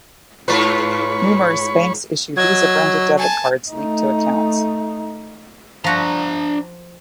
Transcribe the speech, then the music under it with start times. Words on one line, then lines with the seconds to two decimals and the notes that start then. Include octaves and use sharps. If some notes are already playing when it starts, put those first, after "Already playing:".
Numerous banks issue Visa-branded debit cards linked to accounts.
0.48 G#2 F4 B4 C#5 B5 C#6
2.37 F#3 D#5 E6 G#6
3.18 G#5 A5
3.71 A3 D#4
5.84 F3 D4 F#4 A#5